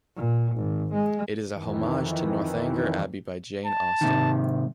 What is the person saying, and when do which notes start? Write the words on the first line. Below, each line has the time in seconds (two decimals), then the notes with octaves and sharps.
It is a homage to "Northanger Abbey" by Jane Austen.
0.16 A#2
0.56 G#1
0.94 G#3
1.50 F2 D#3 E3
3.66 A5
4.01 G#2 C3 D#3